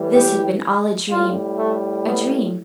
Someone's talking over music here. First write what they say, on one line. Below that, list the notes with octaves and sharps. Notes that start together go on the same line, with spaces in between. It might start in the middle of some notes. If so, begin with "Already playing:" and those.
This had been all a dream--a dream.
Already playing: A2 E3 G3
G4
A2 G3 F4
A3
B3